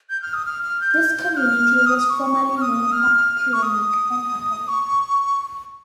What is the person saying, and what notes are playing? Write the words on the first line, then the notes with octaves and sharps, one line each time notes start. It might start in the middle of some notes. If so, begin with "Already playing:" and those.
This community was formerly named Upper Clear Lake and Upperlake.
G6
F6
D#6
F6
F6
G6
G6
G6
F6
D#6
D#6
C#6
F6
D#6
F6
C#6
D#6
C#6